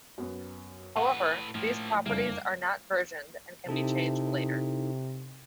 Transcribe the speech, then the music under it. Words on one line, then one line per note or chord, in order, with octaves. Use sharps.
However, these properties are not versioned and can be changed later.
F#2 B3
A2 B4 F#5 C#6
A2 F3 A#3
F#1 F2 G3 A#3 D4
C3 D#4 E4 A4